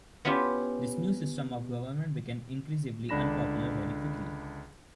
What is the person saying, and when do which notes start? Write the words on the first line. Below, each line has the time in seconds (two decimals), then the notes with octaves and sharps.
This new system of government became increasingly unpopular very quickly.
0.25 B3 C#4 E4 F4 G4
3.09 C#2 D3 D4 B5 A#6 E7